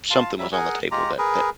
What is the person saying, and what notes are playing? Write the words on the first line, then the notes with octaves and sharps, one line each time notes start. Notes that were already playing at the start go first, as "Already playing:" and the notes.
something was on the table that that
F4 F5 A5
F#3 G3 E5
G#4 A#4 F#5 G#5
G#3 F4 G4 A#5
G#4 A#4 B4